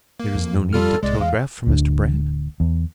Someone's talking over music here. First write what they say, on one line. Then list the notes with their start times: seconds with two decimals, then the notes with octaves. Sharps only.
"There is no need to telegraph for Mr. Brand?"
0.20 A#3
0.35 F2
0.73 G3 F4 A4 F6
1.03 C2 G#3 D5
1.20 E2 F5
1.67 D1 D2 D3
2.60 E2